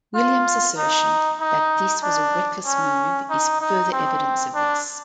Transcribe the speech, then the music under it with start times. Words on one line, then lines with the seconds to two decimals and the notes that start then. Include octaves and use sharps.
William's assertion that this was a reckless move is further evidence of this.
0.15 F4
0.77 D#4
1.41 D#4
2.03 D4
2.66 C#4
3.30 D#4
3.61 D#4
3.92 C4
4.55 D4